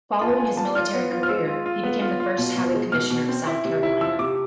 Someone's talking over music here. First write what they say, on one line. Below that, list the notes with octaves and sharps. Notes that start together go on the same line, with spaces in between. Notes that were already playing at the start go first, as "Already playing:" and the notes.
Following his military career he became the first Highway Commissioner of South Carolina.
F4 A5
B3 G#5
F3 A5
F4 F6
B3
F4
F6
G#3 E6
F4
F4
B3
F4
F4
B2
B2
G#3
B2 F6
B2
C4
E4
C3
E4
F3 E6
C3 D6